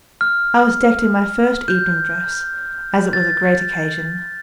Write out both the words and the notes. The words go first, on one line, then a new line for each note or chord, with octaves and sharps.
I was decked in my first evening dress, as it was a great occasion.
F6
G6
A6